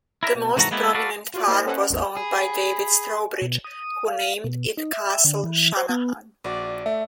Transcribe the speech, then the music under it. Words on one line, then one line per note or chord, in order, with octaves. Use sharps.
The most prominent farm was owned by David Strawbridge, who named it Castle Shanahan.
E4 A#4 E5
B2
C2 G#2 E3 F#4 A4 A#5
G#3 A#3 B3 E4 G4
F#4 A4 B4 D5 F5
F4 F#4 D5
A#3 E4 C5 D#5
C#4 A4 B4 C5 D#5 F#5
A1 E2
G#4 B5
B2
D#6
F5
B2
D#4
E5
D3
E3
C5
B3
A#1 F#4 D5
A3 E5